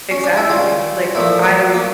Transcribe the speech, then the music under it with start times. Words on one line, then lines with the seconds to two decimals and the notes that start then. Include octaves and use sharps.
Exactly, like, I
0.11 C#4
0.24 D4
0.37 E4
0.50 C#3 G3 F4
1.15 A#2 F3 A3 E4
1.74 A#3